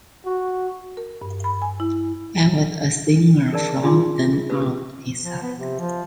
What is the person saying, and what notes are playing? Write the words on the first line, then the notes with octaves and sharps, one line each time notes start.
I was a singer from then on, he said.
F#4
A#4
G2
B5
G#5
E4
G#4 A#4 D5 A5
D4 F4 G#4 G#5 C6 D6
G#4
G4 B4
F3
B3
C3
F3